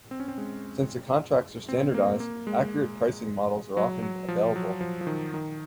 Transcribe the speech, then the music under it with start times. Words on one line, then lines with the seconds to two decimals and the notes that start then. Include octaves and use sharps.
Since the contracts are standardized, accurate pricing models are often available.
0.11 C4
0.20 C#4
0.28 C4
0.38 G#3
1.69 C4
1.94 A#3
2.20 A#3
2.47 G#3
3.77 F#3
4.02 F#3
4.28 F3
4.56 F#3
4.81 F3
5.01 F3
5.07 D#3
5.34 D#3